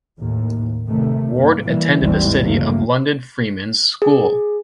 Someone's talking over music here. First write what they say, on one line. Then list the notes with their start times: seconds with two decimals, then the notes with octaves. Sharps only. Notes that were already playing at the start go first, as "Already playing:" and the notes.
Ward attended the City of London Freemen's School.
0.19 D#2 A2
0.87 C3 D#3 A3
1.34 G2 A#3
1.63 E3 G3 A#3
2.01 G#1 D#2 E3 G3 G#3 C4
2.39 D2 G2 C#3 F#3 A3 A#3
4.02 G#4